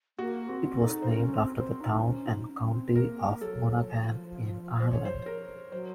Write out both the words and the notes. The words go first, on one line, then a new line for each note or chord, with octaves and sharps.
It was named after the town and county of Monaghan in Ireland.
A#3 F#4
C4 F#4
D#4 A4
C5
C#4 A#4
C4
C4 C5
D#4
C#4
D#4
C#4
C4
A#3 A#4
F#3 A4
F3
C5
C#5
C5
A#4
F#3 C5